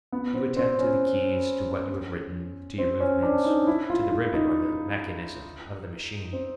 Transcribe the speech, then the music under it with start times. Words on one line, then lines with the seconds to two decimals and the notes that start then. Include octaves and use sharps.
You attend to the keys, to what you have written, to your movements, to the ribbon or the mechanism of the machine.
0.12 B3
0.34 C4
0.57 C4
0.79 C#4
2.78 C4
3.00 C#4
3.23 D4
3.45 D#4
3.67 E4
3.90 F4
4.11 E4
4.34 D#4
6.33 C4